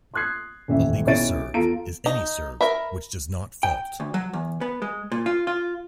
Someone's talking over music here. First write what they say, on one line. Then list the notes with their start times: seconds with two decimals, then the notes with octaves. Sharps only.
A legal serve is any serve which does not "fault".
0.14 C6 D#6 F#6 G#6 C7
0.68 D#1 A1 E5
1.06 B1 C#3 E4 C#5 A6 D7
1.54 E2 F4 A4 A#5 D7
2.06 D#4
2.61 A#4 E5 B5
3.63 G5
4.00 D2
4.14 F#3
4.33 E2
4.61 B3
4.82 G#3
5.12 A#2
5.26 F4
5.47 F4